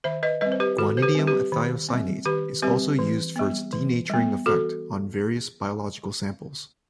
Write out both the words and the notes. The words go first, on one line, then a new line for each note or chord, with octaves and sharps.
Guanidinium thiocyanate is also used for its denaturing effect on various biological samples.
D#3 C5 E5
B4 D#5
G3 C4 B4 D#5
C5
G4 B4
D#3 F#4 A4
C5
G4 B4
G3 C4
G4 B4
D#3
G3 C4
D#3 G4 B4
G3 C4 G4 B4
E3
G3 B3
E3
G3 B3
E3 F#4 A4